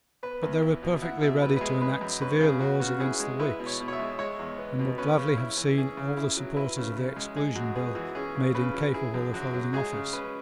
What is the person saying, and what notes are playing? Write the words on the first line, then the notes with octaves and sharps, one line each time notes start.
But they were perfectly ready to enact severe laws against the Whigs, and would gladly have seen all the supporters of the Exclusion Bill made incapable of holding office.
B3 B4
E2
E4
B2
E4 F#5
B2 E5
B2 B4
B4
G#3 G#4
G#3 B4
F#2
C#4 B4
C#3 G#4
B3 F#4
C#3 F#4
E4 G#4
G#3
E4 B4
B2
C#5
B2
C#5
E5
G#3
G#3 C#5
E2
B3
B2
C#4 B4
C#3
E4
E3
C#4 G#4
C#3
E4
F#3
E4 B4
C#3
C#3
G#3
G#3 G#4
F#2 F#4
B3 G#4
E3 F#4
C#4 G#4
C#3
C#3 B4
F#3
E4 G#4
F#2
F#2 F#4
F#3
G#3 G#4
C#3
C#4 B4